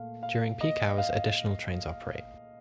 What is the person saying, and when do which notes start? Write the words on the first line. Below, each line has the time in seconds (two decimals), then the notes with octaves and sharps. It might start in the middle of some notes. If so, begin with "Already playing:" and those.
During peak hours additional trains operate.
Already playing: A#2 A3 F5
0.23 F5
0.61 D#5
0.98 F5